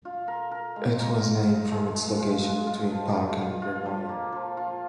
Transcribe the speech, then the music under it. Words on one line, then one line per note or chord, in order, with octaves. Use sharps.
It was named from its location between Parker and Vermillion.
F4
A#4
A#4
G#3
A#4
G#3
G#3
G#3
G#3
F4
G#3
F4
F3
F4
F4
F4
F3
A#3
F3
F4